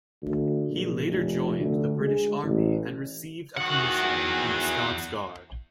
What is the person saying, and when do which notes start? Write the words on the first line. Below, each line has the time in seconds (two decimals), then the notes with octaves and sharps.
He later joined the British Army and received a commission in the Scots Guard.
0.22 D2
0.69 A#1
1.06 F1
1.58 D2
2.00 G#3
2.43 A1
3.57 E2 D#3 F#3 F#4 F#5